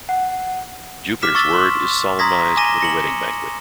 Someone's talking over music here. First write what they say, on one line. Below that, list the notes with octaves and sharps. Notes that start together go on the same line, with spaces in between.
Jupiter's word is solemnized with a wedding banquet.
F#5
D6 F6 B6 E7
C#6 E6 A6
C6
A#5 C6 D#6 G#6 A#6 B6
G#5 D6 A#6 D#7 E7 G7
A#6 C#7 F#7